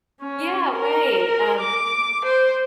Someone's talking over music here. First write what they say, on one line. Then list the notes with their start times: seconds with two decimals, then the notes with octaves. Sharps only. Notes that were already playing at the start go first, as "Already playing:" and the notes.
yeah, right, um,
0.22 C#4
0.78 A#4
1.60 D6
2.25 C5